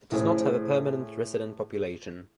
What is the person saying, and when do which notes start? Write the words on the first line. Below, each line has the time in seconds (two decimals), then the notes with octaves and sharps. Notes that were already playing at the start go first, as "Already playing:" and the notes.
It does not have a permanent resident population.
0.12 A2 G#4 C5